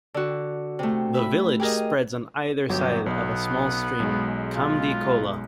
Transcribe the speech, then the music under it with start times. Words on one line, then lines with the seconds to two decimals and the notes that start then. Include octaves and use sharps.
The village spreads on either side of a small stream "kamdi khola".
0.14 D3 F#4
0.79 C3 A3
1.15 E5 B5
1.60 G4 G#4 A#4 D#5
2.69 G1 F#3 G4
3.06 B1 B3
4.00 B1 G#3
4.56 F4